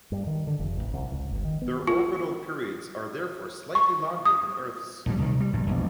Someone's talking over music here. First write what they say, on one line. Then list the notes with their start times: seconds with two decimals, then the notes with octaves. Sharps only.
Their orbital periods are therefore slightly longer than Earth's.
0.12 G2
0.27 D#3
0.47 D3
0.59 F1
0.77 A1
0.93 C2
1.11 C#2
1.31 G1
1.45 D#3
1.62 B3
1.87 F4
3.75 C#6
4.25 D#6
5.06 A#1 A2 G3
5.19 C2 D#3
5.40 G3
5.53 A#1 G2
5.67 E1 A#1